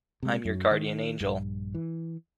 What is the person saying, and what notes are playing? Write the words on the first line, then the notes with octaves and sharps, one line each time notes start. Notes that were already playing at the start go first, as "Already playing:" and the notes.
I'm your guardian angel.
C3 G#3
F#2 F#3
D#3
A#1 G2
E3